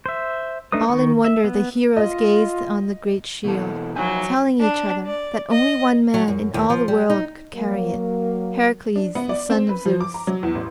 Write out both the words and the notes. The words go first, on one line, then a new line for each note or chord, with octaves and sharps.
All in wonder the heroes gazed on the great shield, telling each other that only one man in all the world could carry it--Heracles the son of Zeus.
C5 E5
A3 D4 D#4 B4 D#6
D#3 C#6
E5
B3
F4 D#5
B2 E3 A4
F3 F#3 D#4 G#5
D4
D5
D#5
F#3
F#2
D#2
F3
G3
D#4
F#3 A#3
D4
B3
D5
C4
B4
F3
D6
A#5
F#3
E2
A1